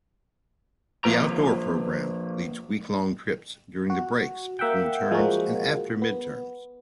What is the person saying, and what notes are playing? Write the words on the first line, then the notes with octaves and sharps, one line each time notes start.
The Outdoor Program leads week-long trips during the breaks between terms and after midterms.
F3 A#3 C4 B4 A#5
F#4
A#3 E5 F#5 G5
F3 G#3 A#3 F#4
B3